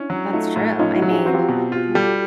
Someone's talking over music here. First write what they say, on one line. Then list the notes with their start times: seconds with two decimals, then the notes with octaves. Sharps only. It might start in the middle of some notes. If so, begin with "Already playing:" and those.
That's true. I mean, yeah.
Already playing: C#4 D4 E4
0.10 F#3
0.33 A3 D#4 F4
0.56 A2
0.79 C#4 D#4 F4
0.95 E4 F#4
1.02 F#3
1.11 G#4
1.18 G4
1.26 C4 F#4
1.34 F4 G4
1.49 B2
1.72 F4
1.95 G3 G4 A4